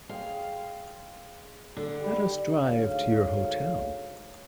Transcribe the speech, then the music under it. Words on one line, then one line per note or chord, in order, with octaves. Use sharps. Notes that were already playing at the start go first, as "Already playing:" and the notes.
Let us drive to your hotel.
G#3 C#5 F5 G5
D3
G3 G4
D2 G#2 C#5 F5